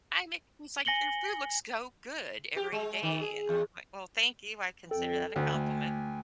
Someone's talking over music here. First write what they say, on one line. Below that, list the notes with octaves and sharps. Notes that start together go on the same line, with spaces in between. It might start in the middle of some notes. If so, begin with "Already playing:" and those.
I make" He's like, "Your food looks so good every day!" and I'm like, "Well, thank you, I consider that a compliment
G#5 A#6 C#7 F#7 G7
G4
G#3
D#3
G#4
E2
F2 A4 G5
D2 G5 G#5
A3